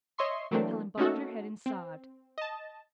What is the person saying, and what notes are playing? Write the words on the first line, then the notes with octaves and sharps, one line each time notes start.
Helen bobbed her head and sobbed.
C#5 D#5 E5 C6 C#6 C7
E3 F#3 A3 A#3 C4 D4
A3 A#3 C#4 D#4 F#4 A4
C4
D#5 A5